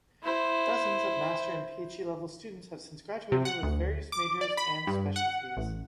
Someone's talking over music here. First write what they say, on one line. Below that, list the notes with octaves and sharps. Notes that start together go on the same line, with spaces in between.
Dozens of Master and Ph.D-level students have since graduated with various majors and specialties.
E4 C5
C3
F#5
D2
D6
D5
B5
G2
F#5
A1